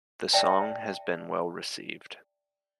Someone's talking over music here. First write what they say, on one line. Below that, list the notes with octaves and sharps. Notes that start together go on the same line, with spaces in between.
The song has been well received.
D5 E5 G5 A5